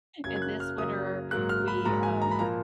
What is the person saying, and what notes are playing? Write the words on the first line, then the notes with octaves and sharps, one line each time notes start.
and this winter, we, um
F#2 C#3 F#3 A#3 G#6
G#6
F#6
F6
F#2 C#3 F#3 A#3 D#6
G#2 F#3 A#3 F#6
F6
B5
G#2 F#3 A#3 A#5
G#5
A#5
B5
A#2 F3 A#3 A#5